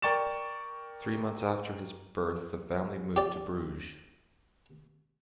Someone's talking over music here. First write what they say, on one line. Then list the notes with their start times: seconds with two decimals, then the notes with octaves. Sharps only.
Three months after his birth, the family moved to Bruges.
0.02 A#4 D5 G5 C#6 A6 E7
3.16 G4 D5